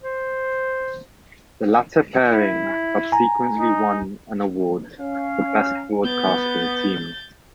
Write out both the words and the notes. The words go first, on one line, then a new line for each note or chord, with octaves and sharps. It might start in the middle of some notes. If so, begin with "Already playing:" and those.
The latter pairing subsequently won an award for best broadcasting team.
C5
E4
G#5 A#5
D#4
C#4 F5
B3 G6 A6